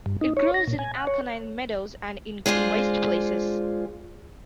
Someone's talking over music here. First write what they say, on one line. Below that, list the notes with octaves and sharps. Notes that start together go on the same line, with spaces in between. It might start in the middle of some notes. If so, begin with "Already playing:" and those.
It grows in alkaline meadows and in waste places.
G2
D#4
C#5
A#6
A#2
G#5
F#5
C#5
G#3 D4 F4 C5